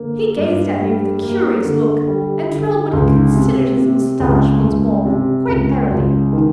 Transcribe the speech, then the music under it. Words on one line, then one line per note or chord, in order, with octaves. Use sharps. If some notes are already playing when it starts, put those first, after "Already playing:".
He gazed at me with a curious look, and twirled what he considered his moustache once more, quite airily.
Already playing: D3 A#3
G2
G3
A#3
D3
G3
D3
C#2
C3
C3
C#2
C#2
C3
C#2
C#2
D#3